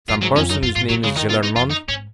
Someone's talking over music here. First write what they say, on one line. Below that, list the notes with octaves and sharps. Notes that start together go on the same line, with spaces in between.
"Some person whose name is Gillenormand?"
F#2 F4
G#2 F#3
F2 C#4
F#2 D#4
F#2 F4
G#2 F4
B2 F#3
C#3 G#3
D#3 D#4
B2 F4
D#4
F2 F4
D#4
G#2 C#4